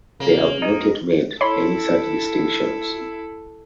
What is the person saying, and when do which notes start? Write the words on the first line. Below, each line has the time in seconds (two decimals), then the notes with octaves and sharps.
They have not yet made any such distinctions.
0.20 C#3 A#3
0.62 F2 D4 D#4 D#5 D#7
1.41 E4 A4 C#5 B5 C6